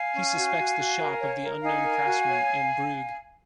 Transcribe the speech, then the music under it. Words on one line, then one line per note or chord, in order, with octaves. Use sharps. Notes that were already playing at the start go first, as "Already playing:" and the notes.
He suspects the shop of the unknown craftsmen in Brügge.
Already playing: F5 G#5
C#4
F#4
F#4
F#4
A#4
C#5
A#4
D#4 F5 G#5
A#4
F#4
C#5